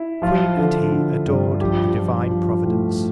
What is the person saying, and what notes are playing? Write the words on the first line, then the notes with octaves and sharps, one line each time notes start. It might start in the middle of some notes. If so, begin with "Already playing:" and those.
The Queen and He ador'd the Divine Providence.
Already playing: E4
F3 F4
D3
D3
G2
F3 G4
F3
F3
A2